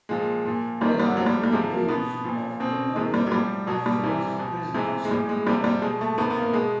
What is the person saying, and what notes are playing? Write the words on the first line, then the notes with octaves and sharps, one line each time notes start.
There are two views of the number of Finnish prisoners of war.
A#2 F3 G#3
A#2 F3
C3 D#3 G3
G3
A2 F3 F#3
G3
G3
C3 F3 G#3
A#3
B2 B3
A#2 F3
B2 C4
C3 D#3 G#3
G3
F#3
A2 F3 G3
B2 F#3
G3
C3 E3
B2
C3 E3 G#3
G#3
A2 E3 G3
G#3
C3 F3 G3
G3
B2 G#3
A3
C3 D#3 B3
B3
A#3
B2 G#3